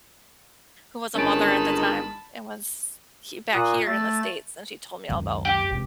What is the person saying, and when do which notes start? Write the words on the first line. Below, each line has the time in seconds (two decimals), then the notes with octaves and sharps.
who was a mother at the time and was he back here in the States, and she told me all about,
1.15 G1 D#3 G#3 C#4 D#4 A5 B5 D7
3.54 A#2 D#6 F#6
3.86 A3 A6
5.09 C#2 F#2 D#3
5.45 G4
5.69 E1 C#2 C3